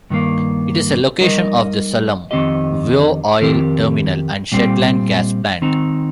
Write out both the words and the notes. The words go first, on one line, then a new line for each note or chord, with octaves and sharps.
It is a location of the Sullom Voe oil terminal and Shetland Gas Plant.
G2 D#3 A#3
G3 D#4 A#4 D#5
F2 D#3 C4 G4 D#5
F2 D#3 C4 G4 A#4
A#2 G3 C4 G4
D#3 C4 D#4